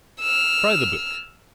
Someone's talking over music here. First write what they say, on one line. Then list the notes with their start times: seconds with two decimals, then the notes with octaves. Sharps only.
Try the book.
0.20 E6 F6